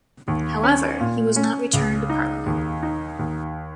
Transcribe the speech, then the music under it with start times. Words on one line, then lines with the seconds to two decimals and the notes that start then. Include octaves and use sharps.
However, he was not returned to Parliament.
0.28 D#2
0.63 C#4
1.00 A#2
1.36 C#4
1.73 C#2
2.09 D#4
2.46 D#2
2.83 D#4
3.19 D#2